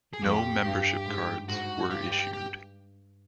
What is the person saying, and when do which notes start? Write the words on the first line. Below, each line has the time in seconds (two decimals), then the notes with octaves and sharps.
No membership cards were issued.
0.13 G#4
0.22 F2 G4
0.65 G2
1.07 G#2
1.49 G#2 F#4
1.91 G2 G4
2.12 G4
2.33 G4